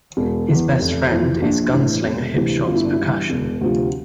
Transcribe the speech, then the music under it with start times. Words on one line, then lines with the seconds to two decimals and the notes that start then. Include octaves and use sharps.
His best friend is gunslinger Hipshot Percussion.
0.17 E1
0.48 E2 E3
0.79 F1
1.11 F2 E3
1.42 A#1 D4
1.73 A2 E3
2.05 E1
2.36 D2 C3 E3
2.67 G1 F4
2.75 E4
2.85 D4
2.93 E4
2.99 G2 E3
3.30 E1
3.61 D2 C3 F3